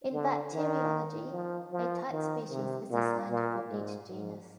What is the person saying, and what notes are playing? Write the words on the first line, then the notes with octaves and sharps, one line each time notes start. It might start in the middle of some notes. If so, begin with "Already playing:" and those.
In bacteriology, a type species is assigned for each genus.
D3
D#3
F3
F3
D#3
C3
A#2
A#2
G#2
G#2